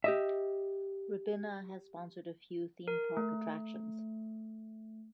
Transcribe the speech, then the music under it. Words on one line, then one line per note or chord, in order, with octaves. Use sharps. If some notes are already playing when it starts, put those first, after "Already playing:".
Ribena has sponsored a few theme park attractions.
G4 D#5 E5
A#4
A3